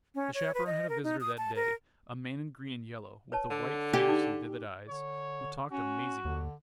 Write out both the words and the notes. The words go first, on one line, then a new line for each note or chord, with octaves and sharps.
The chaperone had a visitor that day, a man in green and yellow, with a white face and vivid eyes, who talked amazingly.
C#4
C#5
B4
D#5
A#4
D#4
D#6
A5
A#4
B4 C#5 A5
D3
G4 D5 G#5
D#4 D6
D3 C#5
C#4 F#4
D#2 D3